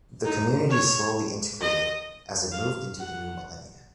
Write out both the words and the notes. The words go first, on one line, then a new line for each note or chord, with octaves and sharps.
The community slowly integrated as it moved into the new millennia.
D#4
C#5
D#5
F5
F#5